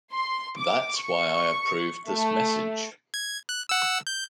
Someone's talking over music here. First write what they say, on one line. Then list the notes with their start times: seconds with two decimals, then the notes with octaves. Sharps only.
That's why I approved this message.
0.12 C6
0.58 D6
1.00 C#6
2.08 A3
3.14 G#6
3.49 F#6
3.69 F#5 E6
4.07 G6